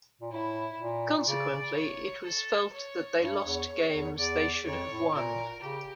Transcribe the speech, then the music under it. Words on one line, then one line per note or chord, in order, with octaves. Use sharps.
Consequently, it was felt that they lost games they should have won.
A#2
A2 E4
A#2
A#2
C#3 D5
C#5
A4
C#5
G2 C#5
E2
E2
E2 D5
F2 C#5
A2
A#2 A#4
C#3 G4